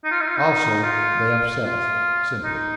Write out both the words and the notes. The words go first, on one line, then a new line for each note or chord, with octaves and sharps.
Also they upset--simply.
D#4
F4
D#4
F4
D#4
F4
F4
D#4